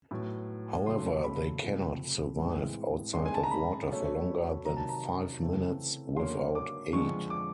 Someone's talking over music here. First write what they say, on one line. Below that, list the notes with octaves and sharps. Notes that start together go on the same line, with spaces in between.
However they cannot survive outside of water for longer than five minutes without aid.
A2 F#3 B3
C#3 F#3 A3 C#4 C6
B5
C3 F3 A3 C4
A2 E3 G#3 C4
G2 D#3 G#3 C4 C6
G#5
A5
A#5
B5
B2 F#3 A3 C#4
C3 D#3 F#3 A#5
A5
A#5
C#3 E3 A3 C4
D3 F#3 A#3 C#4 C6
D6
F2 D3 F3 G#3 C#6
D6